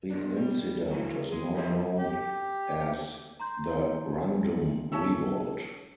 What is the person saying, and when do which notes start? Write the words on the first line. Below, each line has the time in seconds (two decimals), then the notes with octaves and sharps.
The incident is now known as the Rundum Revolt.
0.11 B2 D4
0.37 G3
0.91 E3 F#3
1.32 G#3
1.55 E2 D#4 E5
1.99 G4
3.40 A#5 C6 G6
4.92 C#4 A4 E5